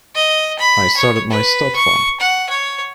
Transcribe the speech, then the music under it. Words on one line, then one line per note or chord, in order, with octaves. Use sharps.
I started my stud farm.
D#5
B5
C#5
B4
C#6
F#5
C#5